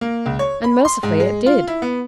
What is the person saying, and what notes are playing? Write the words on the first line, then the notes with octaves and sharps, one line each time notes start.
And mercifully it did.
A#3
C#2
C#5
B5
C6
G#2
G#3
F4
E4
B3